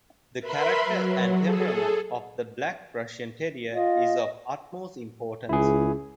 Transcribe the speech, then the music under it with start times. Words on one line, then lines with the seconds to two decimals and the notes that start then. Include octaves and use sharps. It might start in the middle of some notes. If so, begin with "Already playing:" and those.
The character and temperament of the Black Russian Terrier is of utmost importance.
0.39 A#4 B4 E5 B5 C6
0.84 F#3
1.37 G#4 A4
3.74 F4 D#5
5.49 C#2 E4 G#4